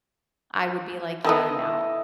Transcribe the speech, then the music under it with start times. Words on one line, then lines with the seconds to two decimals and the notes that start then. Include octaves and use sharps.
I would be like, "Yeah. I'm out."
1.24 D#3 B3 E4 A4 D#5